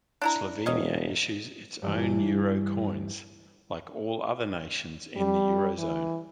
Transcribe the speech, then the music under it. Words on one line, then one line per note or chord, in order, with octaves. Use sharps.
Slovenia issues its own euro coins, like all other nations in the Eurozone.
D4 E4 A#5
E1 C#4 D#5
G2 E3
G3
E3